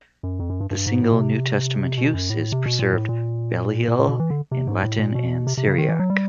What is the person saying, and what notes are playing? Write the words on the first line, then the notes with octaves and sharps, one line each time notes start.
The single New Testament use is preserved "Belial" in Latin and Syriac.
F#2
F2
F#2
G2
G2
G#2
A2
B2
C3
B2
F#2
A2
C3
B2
A#2
A2
A#2
A#2
A#2
B2
E3
D3
C3
G#2
A2
A#2
B2
C3
C3
C#3
D#3
E3
F#3
G3